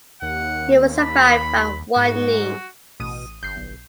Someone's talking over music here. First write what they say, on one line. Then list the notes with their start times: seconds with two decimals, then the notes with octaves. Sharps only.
He was survived by one niece.
0.22 D#2 F#5
0.98 B5
1.96 G#2 F#4
3.00 A1 B2 D#6 D#7
3.43 G1 G6 C7
3.56 B1